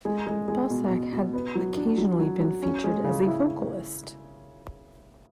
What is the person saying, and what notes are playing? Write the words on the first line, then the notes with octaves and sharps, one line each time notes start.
Balsac has occasionally been featured as a vocalist.
G#3
G#3
G#3
B2
B2
B2
B3
F#3
D4
F#3
F#3
F#3
C#4
G#3
C#3
E4